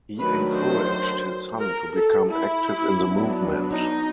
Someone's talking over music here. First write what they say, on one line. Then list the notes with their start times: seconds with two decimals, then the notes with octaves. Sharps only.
He encouraged his son to become active in the movement.
0.19 D#3 F#3 A3 D4 B4
0.55 C5
1.60 A#4
1.95 A4
2.30 E4
3.00 F#3 B3 D4
3.69 D#4